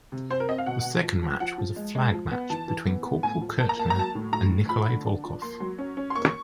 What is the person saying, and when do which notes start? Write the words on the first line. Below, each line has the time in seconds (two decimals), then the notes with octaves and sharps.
The second match was a flag match between Corporal Kirchner and Nikolai Volkoff.
0.12 C3
0.30 C4 C5
0.40 A#4
0.49 C4 D#5
0.58 F5
0.66 B2 F#5
0.85 B2
1.03 F3
1.22 F3
1.40 F3 F#5
1.58 F3
1.76 G#3
1.95 G#3
2.13 F3
2.31 B3
2.50 E3 A5
2.68 E3
2.86 B3
3.05 B3
3.23 A2 G#5
3.41 F3
3.59 A#3 A5
3.69 A#5
3.77 A#3 A5
3.90 A#5
3.96 F#3 A5
4.15 A2
4.32 A2 A#5
4.51 A2
4.69 F3 B5
4.88 D3
5.05 D4
5.24 F3
5.42 A#3 C6
5.60 F#3
5.78 C#4
5.97 C#4
6.10 C6
6.15 A#3 C#6